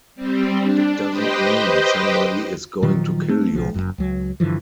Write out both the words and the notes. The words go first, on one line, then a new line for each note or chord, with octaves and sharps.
It doesn't mean somebody is going to kill you.
G3 C4
D4
G4 B4 C5 D#5 G5
A#2 D#3 F3 F#3
A3 C4
B1 F3
F#1 F#2
C#2 F#3
G2 D3 E3 F3